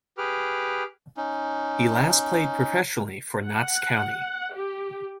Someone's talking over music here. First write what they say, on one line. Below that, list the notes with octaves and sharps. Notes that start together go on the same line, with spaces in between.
He last played professionally for Notts County.
G4 G#4 B4 D6 F6
C#4 D#4
F#5
G4